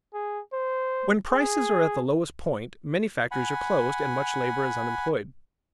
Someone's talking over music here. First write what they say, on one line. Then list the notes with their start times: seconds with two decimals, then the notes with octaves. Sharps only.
When prices are at the lowest point many factories are closed, and much labor is unemployed.
0.14 G#4
0.53 C5
1.31 G#4
3.31 F#5 G#5 B5